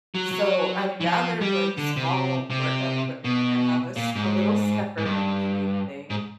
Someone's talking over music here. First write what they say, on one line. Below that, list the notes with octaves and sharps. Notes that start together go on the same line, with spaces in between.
so, I've gathered, like, small workout equipment, like, I have a s a little stepper machine thing
F#3
F#3
E3
F3
G3
D3
C3
C3
B2
A#2
G#2
G#2
G2
G#2